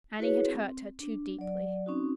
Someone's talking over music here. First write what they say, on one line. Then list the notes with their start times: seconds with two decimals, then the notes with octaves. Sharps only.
Annie had hurt her too deeply.
0.19 E4 F#4 G#4 B4 C#5
0.45 C4
1.00 D4
1.39 F#3 D5
1.86 C4 C#4 D#4 F#4